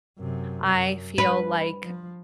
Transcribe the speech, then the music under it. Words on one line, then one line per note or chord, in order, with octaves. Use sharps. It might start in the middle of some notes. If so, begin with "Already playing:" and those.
I feel like
F#2 C3
F#2
G3 B4
F3